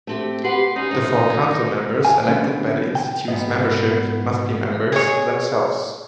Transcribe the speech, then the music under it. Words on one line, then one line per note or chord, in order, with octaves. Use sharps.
The four Council members elected by the Institute's membership must be members themselves.
A3 C4 G4
G4 B4 F#5 C6
C#4 D#4
F#2 A2
F5 G#5
D3 A3 B3 C#4
G5
G#2 B3 D#5
G#4 C#5